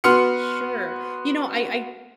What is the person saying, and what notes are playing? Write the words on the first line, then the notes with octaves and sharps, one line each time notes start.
Sure, you know, I
B3 F#4 C6 F6 C#7